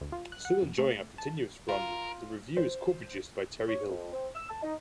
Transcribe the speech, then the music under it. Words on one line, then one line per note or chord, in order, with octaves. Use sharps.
Still enjoying a continuous run, the revue is co-produced by Terry Hill.
D2
F4
F#6
F#5
F2
A3
A5
F4 A#4
C5
C#5
F2
C4
E6
A5
D#4